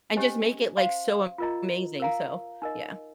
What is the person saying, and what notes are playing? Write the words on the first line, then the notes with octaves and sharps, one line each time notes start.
And just make it, like, so amazing, so, yeah.
C#4 G4 C5 D#5 G#5
C5 F5 C6
F4 A#4 D#5 A#5
A#4 F5 A#5
D#4 A#4 D#5